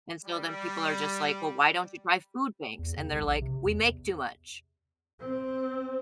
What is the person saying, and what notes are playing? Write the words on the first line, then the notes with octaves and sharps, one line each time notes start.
And so then people are just like, well, why don't you try food banks? And they're like, we make too much.
G3
E2
C#3
C2
A#1
C3
E2
C4